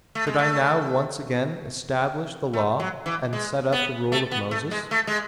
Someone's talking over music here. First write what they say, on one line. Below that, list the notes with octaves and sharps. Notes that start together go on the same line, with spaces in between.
Should I now once again establish the Law, and set up the rule of Moses?
A3
G#3
A3
A3
F#3
E3
G#3
B3
A3
B3
A3
G#3
A3
G#3